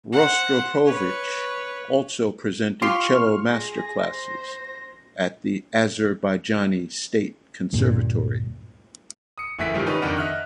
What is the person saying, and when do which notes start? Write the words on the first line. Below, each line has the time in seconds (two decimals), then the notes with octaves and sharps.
Rostropovich also presented cello master classes at the Azerbaijan State Conservatory.
0.13 C5 F#5
0.85 B4 C#5
2.82 F4 G4 C6 C#6 F6
3.49 G#4 A#6
4.05 C5
7.73 D2 G2 A#2
9.38 D#6 C#7
9.59 F#1 E3 A3 E4 B6 D7
9.74 G2 C3 D#3 F3 G#3
9.86 C#4 D#4 G4 B4 D5
10.02 F2 D#3 D4 A#4 F#5
10.17 D#5 E5 F6 F#6